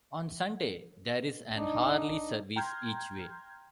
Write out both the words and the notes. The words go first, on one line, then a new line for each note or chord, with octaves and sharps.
On Sunday, there is an hourly service each way.
D4 D#4
G5 A#5 C6 F6 G6 G#6